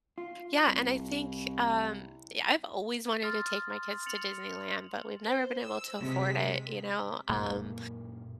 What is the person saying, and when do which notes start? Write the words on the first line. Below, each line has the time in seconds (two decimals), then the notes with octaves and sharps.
Yeah, and I think, um yeah, I've always wanted to take my kids to Disneyland, but, we've never been able to afford it, you know, um,
0.18 F4
0.66 C2
3.23 C6 D#6 F6 A6
4.06 A6 C#7 F7 F#7
5.26 C5
5.63 E6
6.01 C3 G#3 B6
7.29 F#2 A#2 A#3